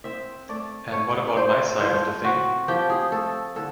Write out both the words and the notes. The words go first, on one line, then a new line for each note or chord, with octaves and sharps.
And what about my side of the thing?
C4 E5
A3 D5
A3 C#5
A3 C5
F3 C5
C4 F#4
F3 G4
G#4
A3 A4
D3 A4